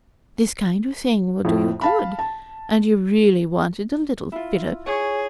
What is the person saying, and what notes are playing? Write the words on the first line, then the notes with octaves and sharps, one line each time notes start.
'This kind of thing will do you good; and you really wanted a little fillip.
F2 A2
F5 A5 B5
A5
E4 F4
G#4 C#5 C#6